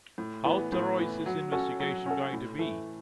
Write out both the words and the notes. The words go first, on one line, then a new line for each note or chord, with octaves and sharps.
How thorough is this investigation going to be?
A2
E3 B3
A2
E3 B3
F#3
C#4 F#4 A4
F#3
C#4 F#4 A4
A2
E3 A3